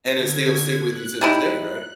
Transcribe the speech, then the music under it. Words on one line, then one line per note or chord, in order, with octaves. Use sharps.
And it still stick with you to this day, right?
D3 G#6
F#6
G3 D#4 E4
F#6